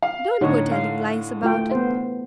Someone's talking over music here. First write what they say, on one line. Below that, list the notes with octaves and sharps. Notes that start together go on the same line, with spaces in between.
Don't go telling lies about it.
F5
A2 D3 D#4 C#5
F5
A3 F4 G5
B3 C5